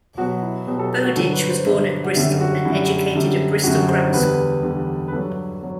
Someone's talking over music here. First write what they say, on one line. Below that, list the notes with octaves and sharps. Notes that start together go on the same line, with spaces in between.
Bowdich was born at Bristol and educated at Bristol Grammar School.
B2 F#3 F#4
E4
B2 F#3 G4
A4
F#4
G2 D3 F#3 A4
B4
C5
G2 D3 F#3 E5
F#5
F#2 D3 G3 E5
F#4
F#2 D3 G3 E4
F#2 D3 G3
F#2 D3 G3 F#4
C5
E2 D3 G3 B4
E2 D3 G3
B4
G2 F#3 A4
F#3